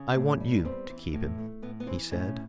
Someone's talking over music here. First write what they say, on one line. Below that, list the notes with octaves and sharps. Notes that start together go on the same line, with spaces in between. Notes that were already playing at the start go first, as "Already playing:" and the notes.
"I want you to keep him," he said.
Already playing: C#3
A2
G3
B3 C4
E3
A2
A3
A2 B3
B3
E3 C4
A2 C#4